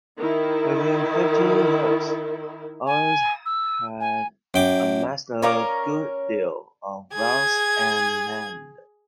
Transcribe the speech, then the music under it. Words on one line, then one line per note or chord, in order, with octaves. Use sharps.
Within fifteen years, Owings had amassed a good deal of wealth and land.
D#3 E4
G#5
E6
G#5
F#2 G5 D6
C#4 A#4 C#5 D5 F5 D6
G#4 G#6